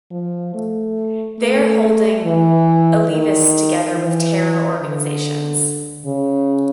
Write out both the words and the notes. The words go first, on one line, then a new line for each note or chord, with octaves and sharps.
They are holding Alevis together with terror organizations.
F3
A3
A3
E3
D#3
E3
D3
C#3